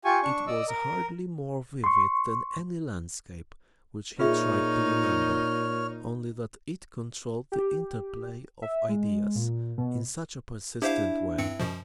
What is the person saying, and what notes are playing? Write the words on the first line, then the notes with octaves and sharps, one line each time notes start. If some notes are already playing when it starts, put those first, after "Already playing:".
It was hardly more vivid than any landscape which he tried to remember, only that it controlled the interplay of ideas in such a persistent way.
F4 G4 G#5 C#6
D4 C#6
D5 D#5 E6
A#4
C6 C#6
A#2 D#4 F4 G#4 C#5 E5 F6
G4
E5
G#3
A#2
B2
D4 E4 G4 C5 F5
G2 C4 C#7
F#2 B2 F3